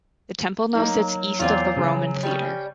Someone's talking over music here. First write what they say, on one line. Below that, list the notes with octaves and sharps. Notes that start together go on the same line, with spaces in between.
The temple now sits east of the Roman theater.
F#3 A#3 D#4
E2 A#3 C4 F4
C#3
G3 C#4